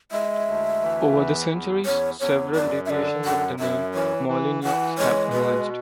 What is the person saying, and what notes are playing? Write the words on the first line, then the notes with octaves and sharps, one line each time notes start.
Over the centuries, several deviations of the name Molyneaux have emerged.
G#3 E5
D2
E3
E2
E2
E2 C#5
E2 C#5
F#2 D5
E5
D3 D5
F#2 F#5
F#2 E5
E3 C#5
E3
E3 F#5
G#3 C#5
B2 B4